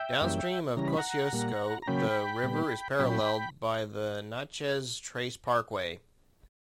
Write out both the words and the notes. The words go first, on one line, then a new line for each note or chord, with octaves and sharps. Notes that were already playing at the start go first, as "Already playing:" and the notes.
Downstream of Kosciusko, the river is paralleled by the Natchez Trace Parkway.
Already playing: E5 G5
F#2 E3 G3 A#3 C#4
C#3 E3 G3 C#4 A#5
B5
F#5 A#5
A#2 G3 A#3
A#5
C#3 F#3 A#3 C#4 G5 B5
A#2 G3 B3
A#2 F#3 C#4 G5 B5